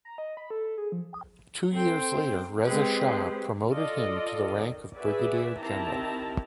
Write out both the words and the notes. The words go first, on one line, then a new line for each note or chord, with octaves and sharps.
Two years later Reza Shah promoted him to the rank of brigadier general.
A#5
D#5
B5
A4
A4
G#4
F3
C4 A4 C5 G5
G#3 C4 G4 G#4 B4 C5
F4 A4 D5 D#5
D#3
F#4 G#4 B4 D5 E5
D#3 C4 E4 G4 A5 A#5